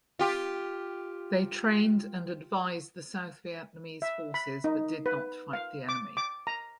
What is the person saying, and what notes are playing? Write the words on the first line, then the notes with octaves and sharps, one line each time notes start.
They trained and advised the South Vietnamese forces but did not fight the enemy.
F4 G4
E5
B5
D#4
B4
F5
D6
D6
A#5